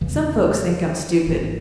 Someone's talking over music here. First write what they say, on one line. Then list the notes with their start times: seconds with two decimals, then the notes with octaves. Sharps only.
Some folks think I'm stupid.
0.01 E2 C#3 E3 G#3
1.27 G#1 G#2 E3